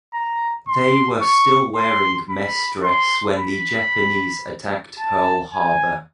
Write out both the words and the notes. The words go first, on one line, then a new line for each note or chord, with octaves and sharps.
They were still wearing mess dress when the Japanese attacked Pearl Harbor.
A#5
C6
C#6
C6
B5
C6
B5
A5
G#5